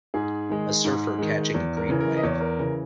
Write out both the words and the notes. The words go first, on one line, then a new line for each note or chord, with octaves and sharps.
A surfer catching a green wave.
G#2 G#4
D#3 G#3
G#2
D#3 G#3
E2
A#4
C#3 E3
A#4
D#5
E2 C#5
A#4
C#3 E3 A#4